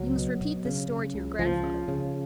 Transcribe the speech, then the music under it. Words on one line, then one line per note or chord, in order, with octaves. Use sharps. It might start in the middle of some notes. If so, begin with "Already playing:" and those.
"You must repeat this story to your grandfather."
Already playing: C#2 F#3
B2
B2
C#3
C#3
C#2
C#2 F3
C#3
C#3